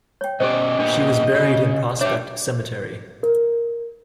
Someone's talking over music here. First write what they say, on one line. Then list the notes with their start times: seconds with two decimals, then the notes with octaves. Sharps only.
She was buried in Prospect cemetery.
0.21 C#5 G5
0.40 B2 C#4 G4 C5 D5 D#5
0.79 A#2 B3 D4 G4
1.35 C#3 F#4
2.01 D4 G4 C#5 E5
3.23 A#4